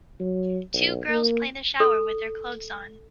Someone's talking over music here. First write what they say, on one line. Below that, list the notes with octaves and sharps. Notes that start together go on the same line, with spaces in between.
Two girls play in the shower with their clothes on.
F#3
B1
A#3
A4